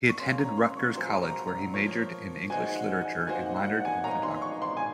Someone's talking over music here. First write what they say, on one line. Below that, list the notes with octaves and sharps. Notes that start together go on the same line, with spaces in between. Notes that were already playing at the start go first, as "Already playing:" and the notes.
He attended Rutgers College where he majored in English literature and minored in Photography.
C#6
A#3 C#4 G#4 C#5 F5 C6
A#5
C6
C#6
F#3 A#3 F4 G#4 C5 C6
A#5
A#5
F3 A#3 F4 A#4 C#5
G#3 D#4 F#4 C5 G#5
F#5
G#5
A#3 D#4 F#4 C5 G#5
F#5
F#5
F#5
G#5
A#3 D#4 A#4 C#5 F5 A#5
C6
C#6
C6
G#5